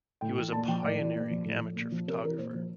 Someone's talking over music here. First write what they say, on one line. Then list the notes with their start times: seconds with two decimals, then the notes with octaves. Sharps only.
He was a pioneering amateur photographer.
0.21 A2 G5
0.37 E3
0.52 A#2 A5
0.68 F3 G5
0.83 A2 D5
0.99 E3
1.15 A#2
1.31 F3
1.45 A2
1.61 F3
1.76 A#2
1.92 F3
2.08 C3 A#4
2.23 E3 A#4
2.38 A#2 C5
2.55 F3